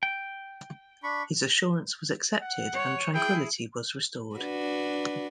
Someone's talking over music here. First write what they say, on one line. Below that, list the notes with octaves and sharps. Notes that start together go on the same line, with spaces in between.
His assurance was accepted and tranquillity was restored.
G5
D4 B5 C#6
F#5
C#5
E4 G#4 G5
D4 F#4 B4